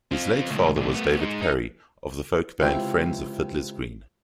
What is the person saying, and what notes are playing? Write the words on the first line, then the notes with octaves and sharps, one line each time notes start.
His late father was David Parry of the folk band Friends of Fiddler's Green.
C4 F4
C#2 A2
A2 D3
A3 B3
G#3 D#4
D#4
C#2 C3 E4 F5 G5